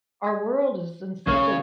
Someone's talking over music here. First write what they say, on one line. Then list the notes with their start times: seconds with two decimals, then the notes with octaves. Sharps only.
our world is in such a i
0.24 D#6 G#6
1.27 B1 C#3 C#5 F6